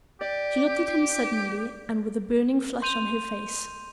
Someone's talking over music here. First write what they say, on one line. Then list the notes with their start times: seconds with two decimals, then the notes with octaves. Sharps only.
She looked at him suddenly, and with a burning flush on her face.
0.21 G4 D5
2.82 C6 G6 D#7 F7